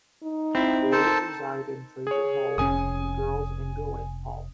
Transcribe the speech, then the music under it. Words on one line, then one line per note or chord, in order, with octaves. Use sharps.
Boys reside in Frazer Hall and Girls in Goen Hall.
D#4
C4 E4
A4 A#4 C5 A5
G#4 C#5
F1 C3 C#4 G#5 D#6